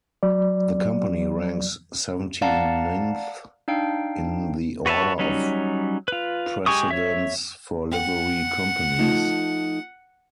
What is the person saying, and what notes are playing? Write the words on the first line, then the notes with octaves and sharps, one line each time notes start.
The Company ranks seventy-ninth in the order of precedence for Livery Companies.
F#3 D5
D5 F5 F#5 A5 A#5
D4 D#4 F5 G5
F#4 B4 C#5 E5 A5
F#3 G3 C#4 D#4
F4 B4
G#3 G4 G#5 C#6 D#6
C#5 E5
F#5 G5
F3 A3 D#4